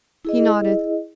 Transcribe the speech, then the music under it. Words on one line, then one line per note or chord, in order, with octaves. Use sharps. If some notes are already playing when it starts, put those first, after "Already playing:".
He nodded.
E4 G#4 D#5